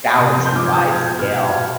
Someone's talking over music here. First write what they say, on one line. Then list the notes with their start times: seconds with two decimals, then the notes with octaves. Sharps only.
galaxy-wide scale,
0.18 C3 C6 D#6
0.37 F3
0.46 G6
0.55 F3 D6 F6
0.66 G#6
0.74 F3 D#6 G6
0.93 B2 G#6
1.07 G6
1.12 B2
1.19 F6 G#6
1.31 B2
1.49 B2